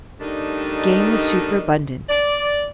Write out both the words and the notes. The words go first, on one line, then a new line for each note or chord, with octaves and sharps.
Game was superabundant.
D#3 G3 A3 D4 D#4
D5